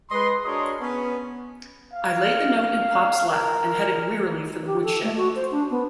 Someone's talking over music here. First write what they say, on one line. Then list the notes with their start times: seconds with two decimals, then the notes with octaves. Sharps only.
I laid the note in Pop's lap and headed wearily for the woodshed.
0.10 G#3 B4 D#5 C6
0.45 D4 F#4 G#4 A#4 C#5 D#5
0.80 B3 C#4
1.93 F5
3.29 A#4
4.66 G4
4.83 A4
5.03 A3
5.17 F#4
5.35 C5
5.52 D4
5.70 B3